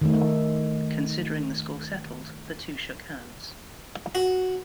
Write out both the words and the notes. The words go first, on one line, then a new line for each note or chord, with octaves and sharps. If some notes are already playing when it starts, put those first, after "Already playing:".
Considering the score settled, the two shook hands.
D#3 A3
F#4